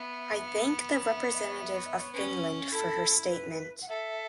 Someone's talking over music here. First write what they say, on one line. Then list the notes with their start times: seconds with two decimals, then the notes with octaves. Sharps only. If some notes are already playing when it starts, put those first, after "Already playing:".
I thank the representative of Finland for her statement.
Already playing: B3 E5
0.96 C#5
1.09 E5
1.22 C#5
1.34 E5
1.48 C#5
1.60 E5
1.73 C#5
1.86 E5
1.98 C#5
2.13 C#4 B4
2.72 E4 A4
3.30 B4
3.82 F#5
3.89 A4 E5